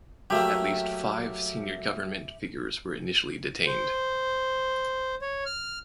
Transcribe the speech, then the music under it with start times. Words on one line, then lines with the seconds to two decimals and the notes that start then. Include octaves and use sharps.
At least five senior government figures were initially detained.
0.30 F#3 A3 A#3 G4 E5
3.67 C5
5.22 C#5
5.46 F6